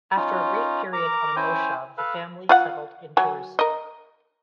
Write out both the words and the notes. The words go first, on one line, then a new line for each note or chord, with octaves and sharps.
After a brief period on a "moshav", the family settled in Jerusalem.
C#4 D#4 F4
A#4 A#5 D6
C#4 E4 C5 G5 G#5
A4 B4 F5
F4 F5 F#5
F#3 G#5
A#4 D#5